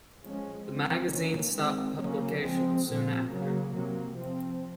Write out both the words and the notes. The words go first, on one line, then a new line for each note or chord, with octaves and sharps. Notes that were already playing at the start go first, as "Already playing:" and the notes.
The magazine stopped publication soon after.
F3 G#3 C#4
F3 C4
D#3 A#3 C#4
D#3 G#3 C4
C#3 F#3 A#3 C#4
F3 G#3 C4
A#2 F3 C4
C#3 F#3 A#3
C3 F#3 A#3
F3 C4